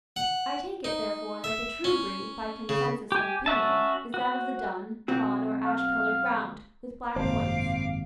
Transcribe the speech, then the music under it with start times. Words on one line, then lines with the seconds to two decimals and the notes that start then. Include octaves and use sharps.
I take it, therefore, that the true breed, by consensus of opinion, is that of the dun, fawn, or ash-coloured ground, with black points.
0.16 F#5
0.84 D#4
1.44 E5
1.84 C#4
2.69 C#3
3.12 G4 G#5
3.46 C#4 F#4 E5 A5
4.14 F#4
5.08 B1 C4 F#4
5.66 F5
7.16 G#1 F#2 C3 A#3 C5 F5 A5 D6